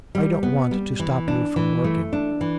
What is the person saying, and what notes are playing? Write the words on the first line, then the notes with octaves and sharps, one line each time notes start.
I don't want to stop you from working.
G3
B3
G3
E3
D4
E3
A3
D4
E3